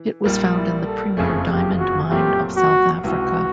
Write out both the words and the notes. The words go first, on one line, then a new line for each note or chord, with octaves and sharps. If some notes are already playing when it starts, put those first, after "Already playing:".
It was found in the Premier Diamond Mine of South Africa.
Already playing: E3
A#1 A#2 G3 A#3 D#4
E4
A4
F#1 F2 C#3 F3 A3 G#4
G4
F#4
A#2 F#3 A3 C4 G4
F#4
C#2 C3 E3 F#4